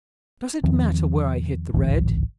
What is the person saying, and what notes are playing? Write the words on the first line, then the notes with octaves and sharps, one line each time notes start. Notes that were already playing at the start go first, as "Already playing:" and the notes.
"Does it matter where I hit the red?"
E2 D#3 F3 C4
D1 G#1 C#2 E3